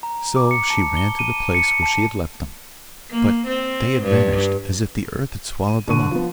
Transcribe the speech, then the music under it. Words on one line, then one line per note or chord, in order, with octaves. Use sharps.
So she ran to the place where she had left them, but they had vanished as if the earth had swallowed them up.
A#5
D6
C#7
A5
G7
D#7
C#7
A5
A#3
C4
G2
D#7
B2 D3 C#6 D#7
F3 B3